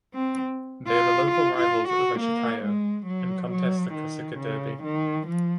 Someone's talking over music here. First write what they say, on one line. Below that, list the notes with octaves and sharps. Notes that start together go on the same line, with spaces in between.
They are the local rivals of Ajaccio and contest the Corsica derby.
C4
F4
F4
F4
F#4
A#3
G#3
F#3
F#3
D#3
C#3
D#3
F3